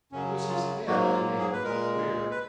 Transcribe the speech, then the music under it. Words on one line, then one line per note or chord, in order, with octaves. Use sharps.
It was his head that made him look queer.
F#2 C#3 F#3 C#4
F4
G#2 F#3 A#3 F#4
F4
G#4
B4
A#2 G#3 A#4
B4